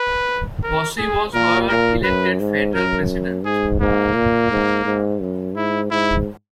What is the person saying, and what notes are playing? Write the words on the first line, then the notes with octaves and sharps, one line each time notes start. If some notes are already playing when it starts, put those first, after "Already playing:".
Bossi was however elected federal president.
Already playing: B4
A#4
G#4
A#2 A#4
A#2 A#4
F#2 B4
G#2
F#2 A#4
G#2 G#4
G#2 A#3
A#2
G#2
G#2
F#2
G#2 E4
G#2 E4